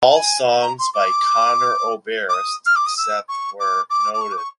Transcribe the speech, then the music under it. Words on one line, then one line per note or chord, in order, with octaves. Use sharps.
All songs by Conor Oberst, except where noted.
A5
G#5
A#5
C6
D6
D6
D#6
F6
D6
D#6
E6
C#6
D6
D6
D6
C#6
D6
C#6